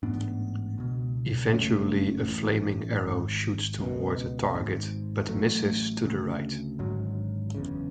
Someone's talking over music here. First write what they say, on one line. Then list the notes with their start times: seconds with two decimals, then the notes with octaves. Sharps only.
Eventually a flaming arrow shoots toward a target, but misses to the right.
0.03 A1 G#2 B3 D4
0.78 C#2 B2
1.53 F#1 F#2 C#3 A3 C#4
2.28 A1 A2
3.04 G#1 G#2
3.79 C#2 B2
4.54 G#1 G#2
5.29 A1 A2 F#3 A3
6.04 D2 C#3
6.79 G#1 G#2 D3 F#3
7.55 F#1 E2 C#3